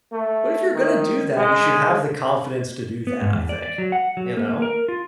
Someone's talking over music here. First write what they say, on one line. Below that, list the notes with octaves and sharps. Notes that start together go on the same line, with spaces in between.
But if you're gonna do that you should have the confidence to do that, I think, you know?
A3
D#3
G#3
B3
G#2
E2
D5
D5
F#3
F#5
F#3
A#3
A#3
A#4
F4